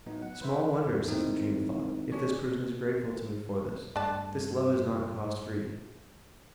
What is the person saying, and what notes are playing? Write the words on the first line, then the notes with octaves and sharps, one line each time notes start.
Small wonder, says the dream thought, if this person is grateful to me for this--this love is not cost-free.
A2 F#3 B3 D#4
F#5
B4 C5 E5
E2 C3 E3
D#3 G#3 C4 D#4 E4
D4 G#4 C#5 D5
G2 A3 D4 A5